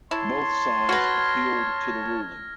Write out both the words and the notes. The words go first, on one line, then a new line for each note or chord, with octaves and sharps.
Both sides appealed to the ruling.
E4 C#5 A5 C6
F#4 B4 F6 G#6 A#6